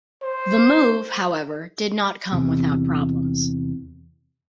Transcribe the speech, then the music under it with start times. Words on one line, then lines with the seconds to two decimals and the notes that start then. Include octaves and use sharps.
The move, however, did not come without problems.
0.23 C5
2.32 E2 C3